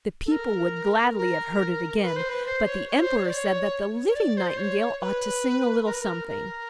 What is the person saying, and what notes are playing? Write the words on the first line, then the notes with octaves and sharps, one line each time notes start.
The people would gladly have heard it again, but the Emperor said that the living Nightingale ought to sing a little something.
A4
A#4
A#4
B4
C5
B4
C5
C#5
C#5
C5
C#5
D5
C#5
C#5
D5
C5
C#5
B4
A#4
B4
A#4
A#4